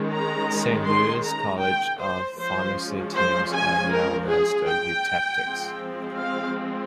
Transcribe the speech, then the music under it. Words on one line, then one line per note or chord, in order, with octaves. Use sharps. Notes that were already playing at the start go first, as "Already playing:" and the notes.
Saint Louis College of Pharmacy teams are known as the Eutectics.
Already playing: D#3 G#3 C#4
A#5
C6
A#5
G5
C5
F3 G#3 C#4 C5
C5
G#5
A#4
G#4
G5
F3 G#3 C4
F5